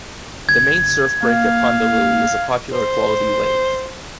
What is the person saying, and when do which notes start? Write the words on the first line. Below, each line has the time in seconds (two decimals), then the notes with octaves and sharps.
The main surf break at Pondalowie is a popular quality wave.
0.49 G1 G#6
1.23 A#3 F5
2.72 C5